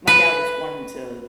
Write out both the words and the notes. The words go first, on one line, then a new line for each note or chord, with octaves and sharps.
my dad was one to
B4